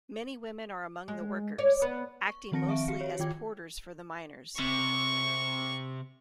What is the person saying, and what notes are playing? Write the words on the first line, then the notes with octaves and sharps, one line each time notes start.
Many women are among the workers, acting mostly as porters for the miners.
G#3
C#5 D5
B3
C#6
D#3 F3 C4 A5 A#6 C#7
E5 F5 C#6 D7
F#4 G4 F5 C#7
C#5
D#3 F4 G5 D6 G#6
C3 C#6